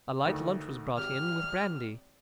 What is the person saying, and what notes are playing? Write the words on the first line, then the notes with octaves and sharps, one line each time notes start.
A light lunch was brought in, with brandy.
D2 D#3 A3
G#1 G4 F6